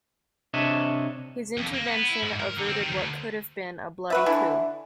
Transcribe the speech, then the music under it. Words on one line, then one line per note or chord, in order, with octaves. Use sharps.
His intervention averted what could have been a bloody coup.
C3 D4 C#5 D#5 E5
F2
A#3
B3
E4
G#2
A#4
D3
C4
D#3
D2
F#4 B4 E5
D3 E3 E4